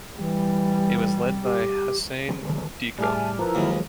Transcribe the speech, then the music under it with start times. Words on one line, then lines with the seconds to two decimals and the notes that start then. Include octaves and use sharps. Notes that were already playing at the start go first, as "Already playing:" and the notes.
It was led by Hassane Dicko.
0.18 E3 G3
1.43 G4
2.98 A2 G3 G#4 E5 G#5 A5 D6 F6
3.39 F3 E4 A#4 B4 A#5
3.55 D#2 F#3 G#3